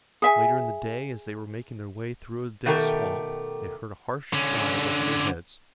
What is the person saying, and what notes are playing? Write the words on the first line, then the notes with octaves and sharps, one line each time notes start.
Later in the day, as they were making their way through a dense swamp, they heard a harsh cry over their heads.
G#4 E5 G#5
B2 D#3 A3 G4 A#4
D3 C#4